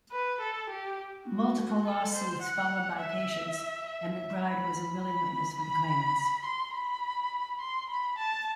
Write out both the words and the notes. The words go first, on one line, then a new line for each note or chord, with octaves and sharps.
Multiple lawsuits followed by patients and McBride was a willing witness for the claimants.
B4
A4
G4
F#4
A4
C5
F#5
E5
E5
E5
B5
B5
B5
C6
B5
C6
B5
A5